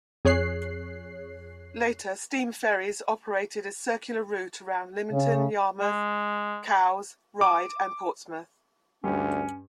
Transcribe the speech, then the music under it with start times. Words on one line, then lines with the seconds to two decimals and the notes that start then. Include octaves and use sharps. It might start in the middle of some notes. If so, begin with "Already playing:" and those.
Later, steam ferries operated a circular route around Lymington, Yarmouth, Cowes, Ryde and Portsmouth.
0.25 F2 G#4 C#5 F#6 C7
5.12 C#3
5.81 G#3
7.41 D6
9.04 D2 G2 C#4 G4